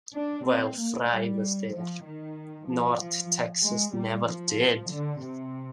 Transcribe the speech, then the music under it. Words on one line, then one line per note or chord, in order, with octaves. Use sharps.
While Fry was there, North Texas never did.
D4
C4
A#3
G3
F3
D#3
F3
F3
G#3
G3
F3
D3
C3